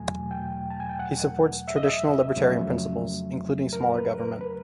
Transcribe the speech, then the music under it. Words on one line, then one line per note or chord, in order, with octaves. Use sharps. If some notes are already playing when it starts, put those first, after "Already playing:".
He supports traditional libertarian principles, including smaller government.
Already playing: E2 B2 F#3 A3 G#5
G5
A5
G#5
G5
F#5
E5
D#5
E5
F2 C#3 F#3 A3
A#4
B4
A#4
B4